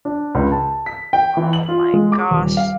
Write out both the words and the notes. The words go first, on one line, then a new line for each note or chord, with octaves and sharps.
Oh my gosh.
D4
C#2
A5
B6
G5
E3
F#7
F4
G#3
D6
D#1
F5